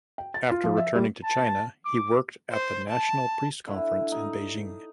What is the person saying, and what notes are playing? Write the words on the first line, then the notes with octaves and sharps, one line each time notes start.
After returning to China he worked at the National Priest Conference in Beijing.
G5
A6
F4
F3
E5
G3
A5
D6
C5
A5
D3 E4
D#4